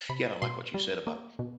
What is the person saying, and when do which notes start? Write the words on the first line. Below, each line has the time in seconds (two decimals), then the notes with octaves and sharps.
yeah, and I like what you said about,
0.09 C3 B5
0.42 B2 C6
0.74 G3
1.07 A#3
1.39 B2